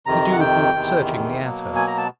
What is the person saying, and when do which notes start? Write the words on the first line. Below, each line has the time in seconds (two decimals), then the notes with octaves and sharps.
The Duke looked searchingly at her.
0.06 F2 C3 D#3 A#5
0.32 F#5
0.40 G5
0.74 E2 C3 D#3
1.41 B2 F#3 A#3
1.76 G#5
1.87 A#5
1.98 A5